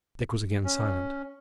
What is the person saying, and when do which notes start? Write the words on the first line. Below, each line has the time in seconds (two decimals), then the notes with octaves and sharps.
Dick was again silent.
0.64 C#4